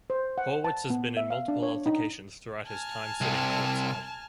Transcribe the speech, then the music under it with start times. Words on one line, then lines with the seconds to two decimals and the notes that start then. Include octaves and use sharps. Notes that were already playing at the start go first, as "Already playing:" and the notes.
Horwitz has been in multiple altercations throughout his time sitting courtside.
0.10 C5
0.38 F#5
0.64 A5
0.90 B3
1.17 E5
1.30 F5
1.48 D4
1.63 C#5
1.86 D#4
2.67 G#5 A5 F6
3.21 C2 C3